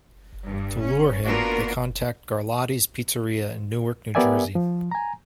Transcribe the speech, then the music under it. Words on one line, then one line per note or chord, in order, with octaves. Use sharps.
To lure him, they contact Garlotti's Pizzeria in Newark, New Jersey.
G2
C#4
A#3 B3 D4 F4 F#4 A#4
B3 G4 A#4 D5 E5 G#5
F3
G#5 A#5